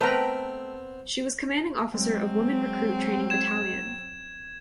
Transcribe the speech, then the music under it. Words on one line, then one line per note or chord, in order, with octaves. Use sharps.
She was commanding officer of Woman Recruit Training Battalion.
A3 B3 C4 A#4 B4 G5 A#5
F#3 G#3 C4
G#6 E7